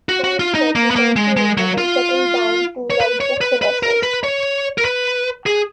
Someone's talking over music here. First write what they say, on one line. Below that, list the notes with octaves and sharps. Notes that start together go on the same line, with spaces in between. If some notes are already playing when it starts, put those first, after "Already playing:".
Bond Head returned to England and settled down to write books and essays.
F#4
F#4
F4
D#4
A#3
B3
A#3
G#3
G#3
F#3
F4
C#5
B4
C#5
B4
B4
A#4
B4
C#5
A#4
B4
G#4